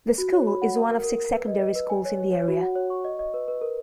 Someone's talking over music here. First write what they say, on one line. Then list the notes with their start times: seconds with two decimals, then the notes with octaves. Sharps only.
The school is one of six secondary schools in the area.
0.18 F#4
0.33 C#5
0.47 B5
0.62 F#5
0.76 A#4
0.90 A#4
1.04 A#4
1.18 A#4
1.33 B4
1.48 D#5
1.61 D#5
1.76 B4
1.90 G#5
2.05 C#5
2.19 C#5
2.33 C#5
2.48 F#4
2.61 F#5
2.75 C#5
2.90 C#6
3.05 D#5
3.19 D#5
3.34 B4
3.48 B4
3.61 A#4